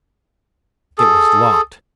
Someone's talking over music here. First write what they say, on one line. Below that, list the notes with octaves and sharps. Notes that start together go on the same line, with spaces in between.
It was locked.
G#4 A4